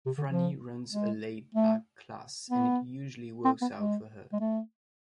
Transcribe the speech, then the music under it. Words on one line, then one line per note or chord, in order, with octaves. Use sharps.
Franny runs a laid back class and it usually works out for her.
C3
D3
F3
G#3
A3
B3
C4
B3
G#3
G#3
A3